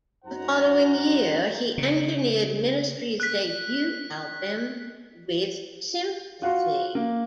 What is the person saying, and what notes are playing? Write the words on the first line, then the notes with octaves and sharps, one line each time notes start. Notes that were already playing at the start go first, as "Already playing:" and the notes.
The following year, he engineered Ministry's debut album, "With Sympathy".
F#2 D#4 F#4 C5 F#5 A#5
C#3
F#6 B6
F4 F#4 F5 C6
A#3